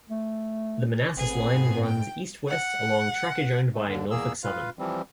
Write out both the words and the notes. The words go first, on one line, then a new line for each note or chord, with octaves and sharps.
The Manassas Line runs east-west along trackage owned by Norfolk Southern.
A3
G#1 A3 B3 C4 G#4
G#2
G5
F#5
G#2 A3
D#2 D3
E2 A#3 G#4 E6
F4 B4 F5
E3 F3 G3 C4